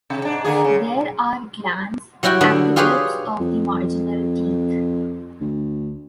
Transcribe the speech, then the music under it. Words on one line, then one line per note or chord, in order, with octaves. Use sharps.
There are glands at the tips of the marginal teeth.
C3
G#2 D4
D3 A#3 G#4
C#3
F#3 G3 E4 F#4 G5
D3 B3 D4
F4 G4 G#4 B4 C#5 F5
F2
D2